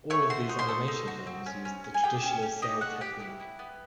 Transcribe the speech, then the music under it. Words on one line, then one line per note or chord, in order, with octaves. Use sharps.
All of these animation films used the traditional cel technique.
A3 C#5 C#6
F#4 C5 C6
D#4
C5 C6
A4
D#4
F#4
C4
C#4
C#4
C#4
G#5
G4 G#4 G5
C#4
C#4
D#4 G4 D#5
B3 F#4 F#5
B3 G4 G5
E4
E4
B3